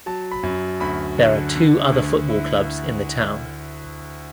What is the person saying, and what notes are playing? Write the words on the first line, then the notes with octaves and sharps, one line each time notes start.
There are two other football clubs in the town.
F#3 A5
B5
F#2
D2 B5
D3
D3
D2
E4